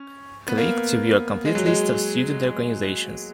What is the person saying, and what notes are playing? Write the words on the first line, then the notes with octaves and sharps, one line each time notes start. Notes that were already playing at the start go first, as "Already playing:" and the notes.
Click to view a complete list of student organizations.
Already playing: C#4
B3
A#3
G#3
F#3
G#3